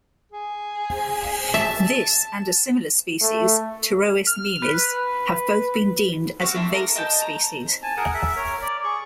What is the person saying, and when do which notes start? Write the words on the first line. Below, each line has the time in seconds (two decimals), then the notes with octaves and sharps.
This and a similar species, "Pterois miles", have both been deemed as invasive species.
0.32 G#4
1.54 E5 A5
3.21 A3
4.27 F6
4.62 B4
6.40 C4 F#4 F5 F#5
6.55 C4 D4 E4
6.74 A#4
6.96 D#5 G5 A5 G6
7.22 A#5
7.83 G#5 A5
7.97 G#4 A#4 F#5
8.14 E5
8.36 A#4 C#5
8.62 D5
8.84 G#4 C#6